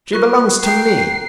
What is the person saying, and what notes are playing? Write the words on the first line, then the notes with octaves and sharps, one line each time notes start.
She belongs to me.
F4 A#4 C#6 F#6
G5 A#5 C7